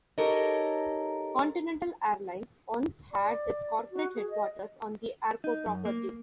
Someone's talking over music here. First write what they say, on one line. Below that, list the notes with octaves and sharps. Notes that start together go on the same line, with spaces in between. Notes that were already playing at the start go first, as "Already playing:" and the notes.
Continental Airlines once had its corporate headquarters on the airport property.
D#4 G4 A4 A#4 C#5 D#5
D5
F#4
G#4
D#5
D#4
F#2
A#3